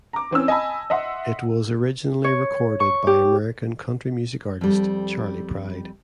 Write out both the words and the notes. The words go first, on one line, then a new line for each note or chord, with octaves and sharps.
It was originally recorded by American country music artist Charley Pride.
A#5 D6
E3 C4 C#4 E6
D#5 G#5 A5 B5
D#5 E5 F#5 C6
C#5
C#6
G4
F2 G3